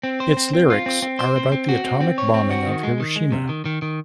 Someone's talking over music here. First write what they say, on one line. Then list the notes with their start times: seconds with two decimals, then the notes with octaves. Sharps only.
Its lyrics are about the atomic bombing of Hiroshima.
0.03 C4
0.20 C5
0.37 C4
0.53 C4
0.70 F4
0.86 C4
1.02 C4
1.19 C5
1.36 C4
1.52 C4
1.69 F#4
1.84 C4
2.01 C4
2.18 C#5
2.34 C4
2.51 F#4
2.67 D#3
2.83 G#3
3.00 D#3
3.16 G#3
3.32 C3
3.49 D#3
3.65 D#3
3.82 D#3